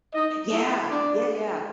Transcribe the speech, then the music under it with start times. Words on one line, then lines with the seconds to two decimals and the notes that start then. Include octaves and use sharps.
Yeah! Yeah, yeah.
0.14 D#4 D#5
0.53 E4 E5
0.90 D4 D5